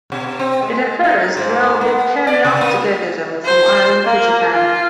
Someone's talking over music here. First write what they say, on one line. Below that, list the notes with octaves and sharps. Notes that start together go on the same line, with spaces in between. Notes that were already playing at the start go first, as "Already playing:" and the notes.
It occurs throughout the Palearctic ecozone from Ireland to Japan.
B2
C4
G#3
D#4
G#2
B3
D5
C3
A#3
C5
A#3
F4